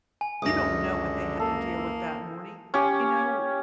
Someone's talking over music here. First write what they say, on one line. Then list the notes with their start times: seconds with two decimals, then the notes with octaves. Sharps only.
you don't know what they had to deal with that morning. You know,
0.21 G#5
0.42 C#2 F#2 D3 D#6 A#6
1.40 A#3 A4
2.74 C#4 G4